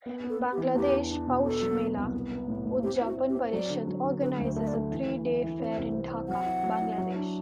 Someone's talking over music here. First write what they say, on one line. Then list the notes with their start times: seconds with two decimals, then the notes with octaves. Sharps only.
Bangladesh Poush Mela Udjapon Parishad organises a three day fair in Dhaka, Bangladesh.
0.06 B3
0.24 B3
0.30 A4
0.41 B3
0.52 G4
0.58 E3
0.75 E2 G4
0.93 D4
1.11 D4
1.27 B2
1.44 B3 A4
1.62 F#3
1.79 B3
1.97 C2
2.14 B3
2.31 B3
2.48 A2
2.66 A2
2.83 C4 G4
3.01 E4 F#4
3.17 C4
3.29 G4
3.35 C4
3.53 F#3 D5
3.70 D3
3.87 F#3
4.04 D3
4.21 D3 B4
4.39 D2
4.44 C5
4.56 A3 E5
4.67 D5
4.74 A3
4.91 E3
5.08 E3
5.26 E3
5.43 E3
5.60 C4
5.77 C2
5.94 C4
6.11 C4
6.28 F#3 F#5
6.46 E4
6.63 F#3
6.81 E4
6.98 F#3
7.16 D4